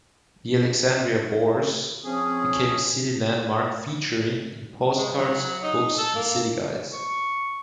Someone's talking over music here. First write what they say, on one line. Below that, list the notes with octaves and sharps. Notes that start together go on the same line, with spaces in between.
The Alexandria Bourse became a city landmark featuring in postcards, books and city guides.
F3 C4 C#4 G#4
G#3
F#3
D#4
A4
A#3
C#6